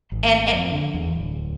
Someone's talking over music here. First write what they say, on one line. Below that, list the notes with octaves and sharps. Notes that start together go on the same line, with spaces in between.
And and
G#1
F2
D3
E2
D1